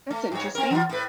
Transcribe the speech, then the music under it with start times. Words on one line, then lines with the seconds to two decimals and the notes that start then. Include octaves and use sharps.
That's interesting.
0.10 A3
0.32 G2 C#5
0.55 C4 A#4
0.70 E3 F#3 F4
0.89 A2 B4